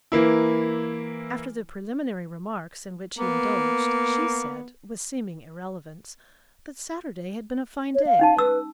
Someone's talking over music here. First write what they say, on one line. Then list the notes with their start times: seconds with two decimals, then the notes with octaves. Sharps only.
After the preliminary remarks in which he indulged, she said, with seeming irrelevance, that Saturday had been a fine day.
0.12 E3 A#3 E4
3.19 A#3 B3
7.95 C#5
8.07 F5
8.19 C#4 D#4 A5
8.39 B4 E6